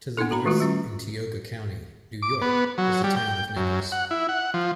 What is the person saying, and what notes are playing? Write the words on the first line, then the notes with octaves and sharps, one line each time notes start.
To the north, in Tioga County, New York, is the town of Nichols.
A#3 B3 D4 E4 A4
F#4 A#5 B5
D#3 G#3 A3 F4 F#4
G3 C#4 F4
D6
B3
F#3
G3
G5
F#2
F#5
E4
F#5
F3